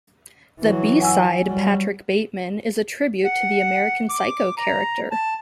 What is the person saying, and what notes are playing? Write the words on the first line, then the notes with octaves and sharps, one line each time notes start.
The B-side, "Patrick Bateman", is a "tribute" to the "American Psycho" character.
E3 F#3
F#5 G#5 E6
F#3 G3
F#5
D6
A#5
A5